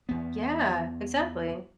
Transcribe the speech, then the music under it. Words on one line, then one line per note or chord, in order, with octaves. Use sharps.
Yeah, exactly.
E2 B3